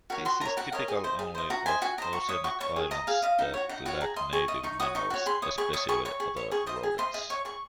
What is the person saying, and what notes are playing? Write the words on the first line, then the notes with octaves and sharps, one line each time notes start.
This is typical only of oceanic islands that lack native mammals, especially other rodents.
F#4 A#4 C#5
F#4 C6
A#4 C#5 A#5
F#4 F#5
A#4 C#5 D#5
G#4
C5 D#5
G#4
C5 D#5
F#4 A#5
C5 D#5 G#5
F#4 G#5
C5 D#5 A#5
F#4 C#6
C#5 D#6
F#4 C#6
C#5 C#6
G#4
D#5 A#5
G#4 F5
D#5 F5
D#4 F#5
F#4 C#5
D#4 F#5
F#4 C#5 F#5
G#4 A#5
D#5 C6
G#4 C#6
D#5
D#4 C#6
F#4 C#5 D#6
D#4 C#6
F#4 C#5
G#4 C6
C#5 D#6
G#4 C#6
C#5 D#6
G#4 C#6
C#5 C#6
G#4
C#5
G#4 C#6
C5 D#5 D#6
G#4
C5 D#5 C6
G#4 D#5
C#5 C#6
G#4 C#6